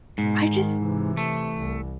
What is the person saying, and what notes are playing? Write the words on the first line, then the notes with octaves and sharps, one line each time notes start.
I just
G#2 B2
D#3
C3 E3
A3
C2